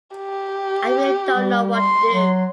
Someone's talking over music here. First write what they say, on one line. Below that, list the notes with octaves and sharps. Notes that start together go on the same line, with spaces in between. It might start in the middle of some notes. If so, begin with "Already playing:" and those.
I really don't know what to do.
G4
G3
C6
F#3